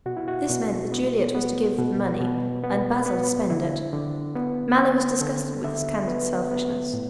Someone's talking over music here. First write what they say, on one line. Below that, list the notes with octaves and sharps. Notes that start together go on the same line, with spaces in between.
This meant that Juliet was to give the money and Basil to spend it. Mallow was disgusted with this candid selfishness.
B2 F#4
E4
F#4
B2
B3
B3
B2
B2
B3
B3
D3 E4
D3
B3
B3
D3 A4
D3 E5
B3 B4
B3
A2